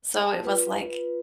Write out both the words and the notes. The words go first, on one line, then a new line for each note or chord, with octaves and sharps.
so it was, like
A5
F4 B4